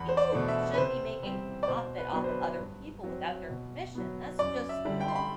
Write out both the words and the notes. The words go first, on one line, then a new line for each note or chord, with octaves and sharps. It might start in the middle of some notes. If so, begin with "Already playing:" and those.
people shouldn't be making profit off of other people without their permission, that's just wrong.
Already playing: E2 B5
C5
D5
B2 A3 D4
E5
B4
C3 C5
G3 C4
D5
B2 C5
B4
F#3 B3 D4
C5
B4
G2
F#3 C4
B2
F#3 B3
F#2 D5
E5
D3 G3 D4
G5
C6
B5